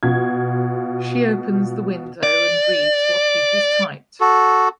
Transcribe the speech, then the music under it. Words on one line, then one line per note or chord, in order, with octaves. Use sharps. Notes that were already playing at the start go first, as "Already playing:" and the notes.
She opens the window and reads what he has typed.
B2 F4 G#6
D5
F#4 A4